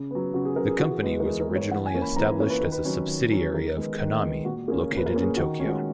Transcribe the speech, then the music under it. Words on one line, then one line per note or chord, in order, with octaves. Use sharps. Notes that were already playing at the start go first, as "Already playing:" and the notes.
The company was originally established as a subsidiary of Konami, located in Tokyo.
Already playing: C#3
F#3 B3
C#3 F#4
G#4
F#3 B3 A#4
G#4
E3 F#4
G#4
G#3 B3
A#4
E3 G#4
A#4
G#3 B3
C#5
E3 F#5
G#5
A#3 C#4
B5
E3 A#5
A#3 C#4 C#5
B4
D#3 A#4
B4
F#3 C#4
D#3
F#3 C#4
D#3 A#4
G#3 B3
D#3
G#3 B3
A#2 F#4
A#3 C#4 G#4
A#2
B4
A#4
A#3 C#4
G#4
D#3 F#4
C#4
G#3 F#4